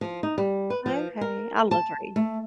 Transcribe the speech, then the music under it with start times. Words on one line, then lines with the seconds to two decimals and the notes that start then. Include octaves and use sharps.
Okay. I love to read.
0.01 F3
0.23 D#4
0.38 G3
0.70 B4
0.86 F3
1.21 A#4
1.71 A5
2.16 A3